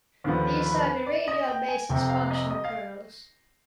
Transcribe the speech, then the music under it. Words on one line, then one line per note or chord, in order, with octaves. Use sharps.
These are the radial basis function kernels.
D#2 D3 F3 B3
B4
D5
D#5
G5
G#5
F1 F2 C3 G5
F5
D#5
D#5
F5